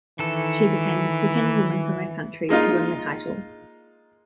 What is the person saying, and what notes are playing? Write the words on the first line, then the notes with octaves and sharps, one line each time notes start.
She became the second woman from her country to win the title.
D#3 E3 A4
G#3 A#3 D#4 F4